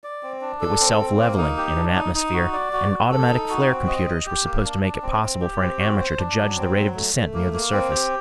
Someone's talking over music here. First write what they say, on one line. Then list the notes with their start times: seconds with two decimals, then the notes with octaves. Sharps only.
It was self-leveling in an atmosphere, and automatic flare computers were supposed to make it possible for an amateur to judge the rate of descent near the surface.
0.04 D5
0.23 C4
0.41 D4
0.61 A4
0.80 C4
0.99 C4
1.19 A#3
1.38 D#4
1.57 G4
1.76 D4
1.95 D#4
2.15 D#4
2.34 F#4
2.53 D5
2.73 F#4
2.91 F#4
3.11 A4
3.30 D#4
3.50 F#4
3.68 C4
3.87 D#5
4.07 D#5
4.26 G4
4.45 A#3
4.65 D4
4.83 D4
5.02 C4
5.22 C4
5.41 G4
5.60 C4
5.79 F#4
5.99 C5
6.18 D4
6.37 F#3
6.57 C4
6.76 F#3
6.95 A3
7.14 A3
7.34 A#3
7.53 A#3
7.72 C4
7.90 G4